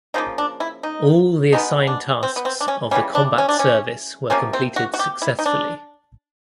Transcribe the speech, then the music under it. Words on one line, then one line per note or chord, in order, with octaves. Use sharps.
All the assigned tasks of the combat service were completed successfully.
C#3 F3 A#3 D#4
D4
E4
D#4
B2 G#3 B3 D#4
D4
C4
B3
C4
D4
C#4
C#3 E3 G3 C#4
D4
C#4
D4
C#4
C3 F3 A#3 C#4
C4
F#4
F#4
G4
E4
D#4
D4